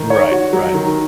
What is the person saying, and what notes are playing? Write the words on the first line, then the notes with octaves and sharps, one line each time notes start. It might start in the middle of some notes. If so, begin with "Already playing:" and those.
Right, right.
Already playing: D#3
C#5
F#4
F#3
D#3